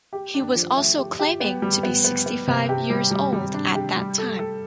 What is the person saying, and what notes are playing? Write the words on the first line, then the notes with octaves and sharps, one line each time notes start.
He was also claiming to be sixty-five years old at that time.
G4
D4
F3
A3
G4
G4
B3
G3
B3
B3
B3
C3
G4
G3
G3
G3
D4
G4
G3
A4
A4